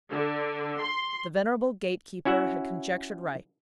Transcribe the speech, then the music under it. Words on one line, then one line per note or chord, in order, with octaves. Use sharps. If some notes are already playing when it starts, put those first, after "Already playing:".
The venerable gate-keeper had conjectured right.
D3
C6
C#4 E4 F#4 E5 F#5